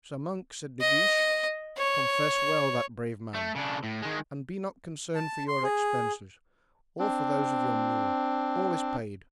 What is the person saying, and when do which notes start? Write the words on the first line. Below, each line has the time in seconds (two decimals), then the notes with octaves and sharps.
"Sir monk," said De Guiche, "confess well that brave man; and be not concerned for your expenses or for those of your mule; all is paid."
0.80 D#5
1.78 C#5
3.34 A3
3.55 C#3 D4
3.83 A2
4.02 D#3 G#3
5.15 A5
5.48 C6
5.63 G#4
6.99 C4 D4